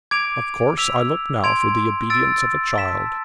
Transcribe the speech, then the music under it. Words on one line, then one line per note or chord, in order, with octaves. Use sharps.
Of course I look now for the obedience of a child.'
D6 G#6 D7 F7
E6 G#6 B6 F7
C6 G#6 D7 F7
E6 A6 D7
A5 E6 B6 E7